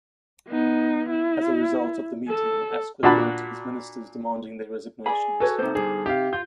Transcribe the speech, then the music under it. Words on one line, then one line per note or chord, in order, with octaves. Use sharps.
As a result of the meeting Asquith wrote to his ministers demanding their resignations.
B3 D#4
E4
A4
A#2 D4 F#4 A5 B5
G#4 D5 B5
F#4 A4 B4 C#5
A2 C3 D#4 C5
G2 D3 G#4
C3 G4 F5
F4 G6